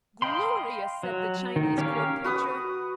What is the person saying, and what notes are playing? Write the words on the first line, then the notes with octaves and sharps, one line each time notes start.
"Glorious!" said the Chinese Court Preacher.
D#5 F5 G5 B5 C6
F#3
D#3
C#4 G4 A#4 C#5 F5
F#4 B4 D#6